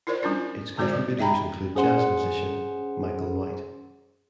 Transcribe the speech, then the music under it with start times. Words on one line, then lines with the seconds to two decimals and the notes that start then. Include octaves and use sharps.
Its contributors include jazz musician Michael White.
0.07 E4 F4 A#4 C5 D5
0.23 G3 C#4 D4 F4
0.78 D3 G#3 C4 F#4 C5 D5
0.93 G3
1.18 D#5 E5 G5 A#5 B5
1.75 C#4 G#4 C5 F#5 C6